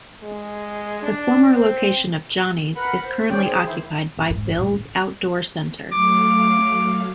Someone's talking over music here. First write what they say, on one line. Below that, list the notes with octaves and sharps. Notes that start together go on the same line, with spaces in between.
The former location of Johnny's is currently occupied by Bill's Outdoor Center.
G#3
D4
C4
A#4 B4 F#5 B5
C5
D#3 C#4 C5 D5 G5
C4 G#4
D#3 E3 E4 C5
G#2
G#2
G1
A2
D3
F#3 A3 F5 D6